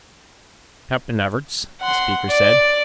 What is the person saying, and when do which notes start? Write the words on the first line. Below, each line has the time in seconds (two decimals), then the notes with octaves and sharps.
"Captain Everts," the speaker said.
1.81 F#5 C6
2.29 D5